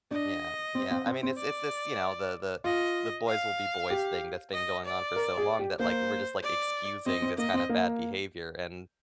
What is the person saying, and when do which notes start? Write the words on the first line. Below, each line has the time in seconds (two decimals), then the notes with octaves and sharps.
Yeah, yeah, I mean, it's it's it's, you know, the the the boys will be boys thing that's been going on for so long that, like, we're just, like, excusing this kind of bad behavior, and
0.11 D4 D#5
0.75 C4
0.91 C4
1.06 C4
1.23 C4
1.37 D5
2.64 F4 D#5
3.27 F5
3.90 G4
4.54 D#5
4.86 D5
5.16 A#4
5.37 G#4
5.59 G4
5.79 A#3 C5
6.43 D5
7.06 C4 D#5
7.22 C4
7.38 A#3 D#5
7.54 C4
7.69 A#3